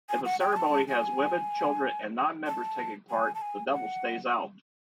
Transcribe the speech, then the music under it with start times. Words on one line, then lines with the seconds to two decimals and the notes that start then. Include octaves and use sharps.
If a ceremony has women, children and non-members taking part, the devil stays out.
0.09 G#5
0.25 F#5
0.41 G5
0.52 G#5
0.57 A5
0.89 G#5
2.47 A5
3.10 G#5
3.35 A5
3.42 G#5
3.73 F#5